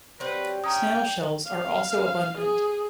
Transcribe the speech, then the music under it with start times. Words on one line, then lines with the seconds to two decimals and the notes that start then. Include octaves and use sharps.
Snail shells are also abundant.
0.20 F#3 G3 C4 B4
0.64 C#4 D4 G5 A#5 D#6
1.47 F5
2.37 G#4